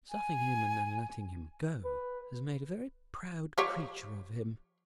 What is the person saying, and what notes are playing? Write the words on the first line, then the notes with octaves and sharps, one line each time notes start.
Stuffing him and then letting him go has made a very proud creature of him.
G#5
B4
F3 G4 C#5